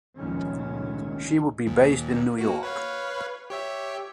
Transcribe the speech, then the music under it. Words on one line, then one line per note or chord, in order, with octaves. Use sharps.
She would be based in New York.
F1 C#2 A#2 D#3 C#4
D#2 A#2
A#3 F#4
B4 C#5 F5
G4 C#5 E5